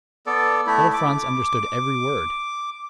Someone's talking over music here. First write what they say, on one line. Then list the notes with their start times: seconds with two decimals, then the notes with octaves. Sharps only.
Little Franz understood every word.
0.26 B3 A4 D5
0.67 A3 E4
0.94 D6